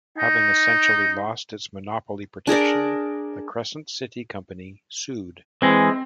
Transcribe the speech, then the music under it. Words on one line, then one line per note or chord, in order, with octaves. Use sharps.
Having essentially lost its monopoly protection, the Crescent City Company sued.
D#4
D4 G#4 A#4 D5
E3 G#3 C4